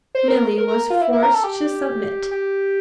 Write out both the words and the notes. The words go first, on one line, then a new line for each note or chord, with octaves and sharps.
Milly was forced to submit.
C5
A#4
A#4
A#4
F4
E4
E4
A#4
A4
G4
G4